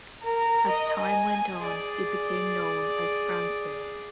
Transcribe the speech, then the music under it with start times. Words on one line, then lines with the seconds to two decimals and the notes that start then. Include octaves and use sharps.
As time went on, it became known as Franceville.
0.24 A#4
0.69 D#5
1.01 G#5
1.58 G#4 D5